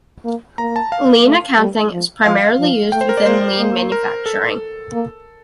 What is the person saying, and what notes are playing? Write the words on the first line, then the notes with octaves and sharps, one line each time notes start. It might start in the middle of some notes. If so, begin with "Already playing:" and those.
Lean accounting is primarily used within lean manufacturing.
A#3
A#3 A#5
A5
F5
A3
G3
F3
F3 F5
F3
A3 G5
C5
A#4
D5
A#3 C5
A#3
A#4
A4
A#3